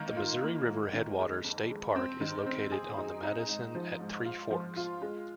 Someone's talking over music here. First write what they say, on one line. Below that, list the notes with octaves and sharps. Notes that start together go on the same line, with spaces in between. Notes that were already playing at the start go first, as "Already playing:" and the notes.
The Missouri River Headwaters State Park is located on the Madison at Three Forks.
Already playing: D#3 A#3
F4
A#3
G#2
D#3
G#3
F2
G#3
C4
D#3
C4
G#4
D#4
D#4
G#2
F3
G#2
F4
F3
F4
G#3